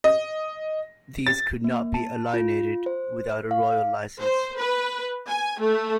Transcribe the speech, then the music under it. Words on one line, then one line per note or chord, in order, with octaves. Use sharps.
These could not be alienated without a royal licence.
D#5
A6
A#3
A5
F4
C5
F5
C5
B4
G#5
A3